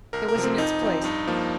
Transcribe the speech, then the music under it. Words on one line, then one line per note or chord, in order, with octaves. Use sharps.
It was in its place.
C2 A#4
A#4
C3 F3
C4
F2 D#4
F3 C4
G2 D#4
F3 A#3